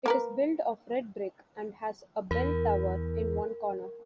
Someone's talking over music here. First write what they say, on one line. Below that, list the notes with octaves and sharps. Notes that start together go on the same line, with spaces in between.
It is built of red brick and has a bell tower in one corner.
A#3 A#4 B4
E2 A#4